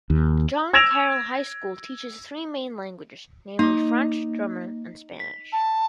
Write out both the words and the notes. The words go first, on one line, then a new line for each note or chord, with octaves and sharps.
John Kyrle High School teaches three main languages, namely French, German and Spanish.
D#2
E6 G#6 A#6 D7 E7 F7
A#3 D#4 D6
B6
A5